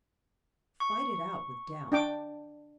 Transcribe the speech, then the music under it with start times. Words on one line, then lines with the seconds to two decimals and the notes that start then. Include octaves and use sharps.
Fight it out with doubt.
0.80 C#6
1.92 D4 G5 D6